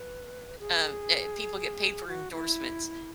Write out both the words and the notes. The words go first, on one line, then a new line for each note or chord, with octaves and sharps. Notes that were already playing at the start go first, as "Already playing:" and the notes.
um, that people get paper endorsements.
Already playing: B4
G#4
F#4
E4